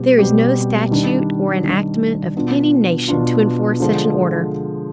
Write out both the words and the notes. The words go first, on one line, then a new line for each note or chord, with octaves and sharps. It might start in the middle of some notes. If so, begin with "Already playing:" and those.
There is no statute or enactment of any nation to enforce such an order.
Already playing: B2 G3 C4 G4
B2 G3 C4 G4
D#3 G3 D4
D#3 G3 D4
B2 B3 D4 F4
B2 B3 D4 F4
D3 F3 G#3